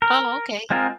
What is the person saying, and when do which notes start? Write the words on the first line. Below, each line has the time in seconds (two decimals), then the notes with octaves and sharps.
Oh, okay.
0.02 A#4
0.70 G#3 C4 F4 G#4 A#4